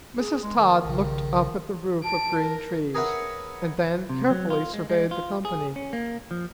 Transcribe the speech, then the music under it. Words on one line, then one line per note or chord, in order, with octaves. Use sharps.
Mrs. Todd looked up at the roof of green trees, and then carefully surveyed the company.
G#4
G#3
D#3
A#1 C#3
A5 D7
A#4
G#4 A#4 B4 C#5 E5 F#5
C3
F#3
F4
G#3
G#3
F4
G#4
C#4
A#3
F3